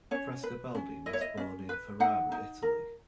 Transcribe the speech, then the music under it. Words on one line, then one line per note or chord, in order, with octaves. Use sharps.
Frescobaldi was born in Ferrara, Italy.
C#4 C#5
B4
C#4
E4 D#5
C#5
D#5
C#4
B4
D#4 F#5
D#4
A#4